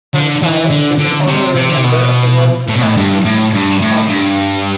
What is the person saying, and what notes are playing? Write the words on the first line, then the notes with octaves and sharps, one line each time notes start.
Panchal is an Honorary Member of the Royal Society of British Artists.
D3
E3
D3
D3
C3
C3
D3
C3
B2
A2
B2
A2
G2
A2
G2
A2
G2